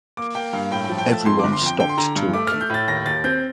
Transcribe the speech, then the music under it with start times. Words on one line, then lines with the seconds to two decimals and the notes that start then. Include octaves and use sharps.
Everyone stopped talking.
0.17 A#3 D6
0.35 A#3 G5
0.53 G2 F5
0.71 A2 G5
0.84 F3 G5
0.98 G5
1.07 A3 A5
1.26 F2 C6
1.39 G1 D6
1.53 C6
1.61 F2 G5
1.80 D3 G5
1.89 C6
1.98 D3 A#5
2.16 G2
2.34 A3 D6
2.47 A3 F6
2.61 G6
2.70 A2 A6
2.88 D#2 A#6
3.06 D#2 A6
3.24 C4 G6